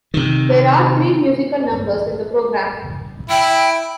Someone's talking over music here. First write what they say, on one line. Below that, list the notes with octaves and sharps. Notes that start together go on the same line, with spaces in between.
There are three musical numbers in the program.
C3 D#3
E4 G5